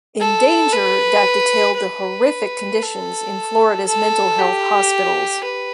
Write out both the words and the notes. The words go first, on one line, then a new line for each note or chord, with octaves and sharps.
In danger that detailed the horrific conditions in Florida's mental health hospitals.
A4
B4
B4
A4
A4
G4
B4